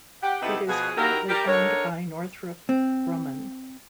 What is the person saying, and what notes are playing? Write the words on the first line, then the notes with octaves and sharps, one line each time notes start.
It is currently owned by Northrop Grumman.
G4 F#5
C3 A3 B3 D#4 E4 G4
B2 F3 G#4
D#3 F#3 E4 G4 A#4
G3 G4 A#4
D3 D#4 A#4 C#5
C4